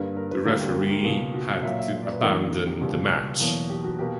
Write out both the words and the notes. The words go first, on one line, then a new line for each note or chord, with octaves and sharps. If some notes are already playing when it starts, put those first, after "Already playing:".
The referee had to abandon the match.
Already playing: G2 D3 G3 A#3 B4
A#4
B4
D2 D3 G3 A#3 A#4
G4
A#4
G4
A#4
C#2 B2 A#3 G4
F#4
A#2 F#3 A#3 E5
E5
E5
D5
B4
E2 D3 A#3 A#4
A#4
G4
C#2 B2 G3 A#3 G4
E2 B2 F#3 A#3
G4
F#4
B2 A#3 G4